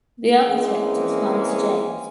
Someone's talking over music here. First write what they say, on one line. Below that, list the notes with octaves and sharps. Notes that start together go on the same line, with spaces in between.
The architect was Hans James.
E3 G#3 A#3 C4 C#4 G#4